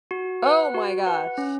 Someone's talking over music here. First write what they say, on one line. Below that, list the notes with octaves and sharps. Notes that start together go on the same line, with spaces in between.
Oh my gosh.
F#4
B4 F#5
F#4
B4 F#5
C#4